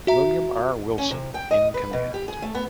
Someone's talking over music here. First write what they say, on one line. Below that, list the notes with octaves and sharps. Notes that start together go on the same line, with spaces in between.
William R. Wilson in command.
F#4 E5 A#5
C#4
C3
G5
D#5
B4
B2
G4
G#4
A3
B3